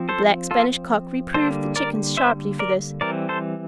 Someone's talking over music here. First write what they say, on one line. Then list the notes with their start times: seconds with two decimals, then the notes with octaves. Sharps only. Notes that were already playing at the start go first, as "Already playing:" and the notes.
The Black Spanish Cock reproved the Chickens sharply for this.
Already playing: F3 C4
0.09 A4 C5
0.51 F4 A4
1.34 D3 G3 A#3 A4 C5
1.76 A#4 D5
2.17 C5 E5
2.59 A#4 D5
3.01 E3 G3 C4 A#4 D5
3.29 A4 C5